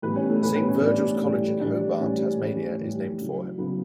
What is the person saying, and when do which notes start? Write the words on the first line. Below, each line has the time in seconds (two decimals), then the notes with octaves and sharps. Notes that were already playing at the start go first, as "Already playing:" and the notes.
Saint Virgil's College in Hobart, Tasmania is named for him.
0.02 A2 E3 G3 B3 B4
0.16 C#4 C#5
0.29 A3 A4
0.42 A2 E3 G3 B3 B4
0.55 B3 B4
0.69 C#4 C#5
0.81 A2 E3 G3 D4 D5
1.22 A2 E3 G3
1.61 A2 E3 G3 D4 D5
2.00 A2 E3 G3 C#4 C#5
2.40 A2 E3 G3
2.80 A2 E3 G3
3.19 C#3 F#3
3.58 C#3 F#3 B3 B4